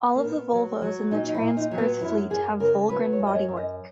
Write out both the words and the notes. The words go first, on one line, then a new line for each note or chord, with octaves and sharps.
All of the Volvos in the Transperth fleet have Volgren bodywork.
A#3
A#2 B3
F#3
F#3
A#2 D#4
D#4
E4
A#2
D#4
F#3
B3
F#2 E4
F#2 G#4
C#3 A#4
F#3 B4
C#5
F#2
D#5
C#5
F#2
D#5